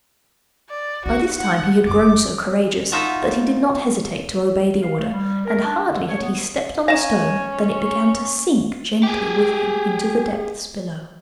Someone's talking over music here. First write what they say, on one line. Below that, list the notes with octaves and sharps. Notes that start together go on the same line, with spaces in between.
By this time he had grown so courageous that he did not hesitate to obey the order, and hardly had he stepped on the stone than it began to sink gently with him into the depths below.
D5
D#4 F#4
F#5
F#1 D6
D#4 F4 F#4 E5 A5 A#5
F5
A3
G3
A#4
D4
D3
C#5
B3
C#4 F5 G#5 A#5 A#6 E7
C#6
G4 G#4